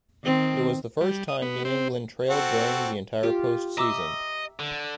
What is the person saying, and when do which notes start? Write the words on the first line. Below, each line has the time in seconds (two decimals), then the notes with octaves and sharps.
It was the first time New England trailed during the entire postseason.
0.24 D#3 C4
1.01 G3
1.28 D#6
1.42 B3
1.65 C4
2.29 C4 F#4 A4
3.23 F4 G4
3.78 D#5 E5 A#5 D6 E6
4.60 D3